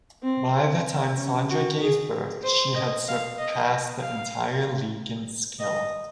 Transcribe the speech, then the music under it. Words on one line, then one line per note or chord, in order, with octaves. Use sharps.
By the time Sandra gave birth she had surpassed the entire League in skill.
C4
C#4
F#4
G#4
C5
D#5
F5
D#5
F5
D#5